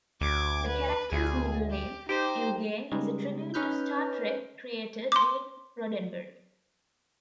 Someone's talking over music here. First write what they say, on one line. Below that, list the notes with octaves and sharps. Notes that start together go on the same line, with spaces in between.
The character's middle name, "Eugene", is a tribute to "Star Trek" creator Gene Roddenberry.
D2 D6 G#6
B4
D2 G#4
G4
D#4 G4 C5
C#3 G3 G#3 D#4
C#4 D#4 B4 F6 G6
C6 D6